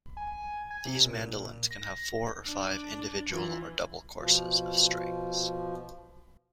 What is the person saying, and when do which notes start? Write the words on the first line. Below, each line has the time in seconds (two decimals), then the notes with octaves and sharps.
These mandolins can have four or five individual or double courses of strings.
0.17 G#5
0.70 G#5
0.85 C3
1.05 A#2
1.71 A#6
2.47 D4
3.31 E3 F4
4.16 B2 F3